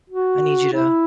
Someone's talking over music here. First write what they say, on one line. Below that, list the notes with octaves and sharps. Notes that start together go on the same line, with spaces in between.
I need you to
F#4
E4